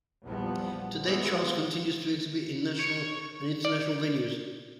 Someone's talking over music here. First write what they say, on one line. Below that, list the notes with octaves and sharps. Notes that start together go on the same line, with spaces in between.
Today, Charles continues to exhibit in national and international venues.
A#1 E2 F3 G3 B3
E3 G#3 B3
C#5
D5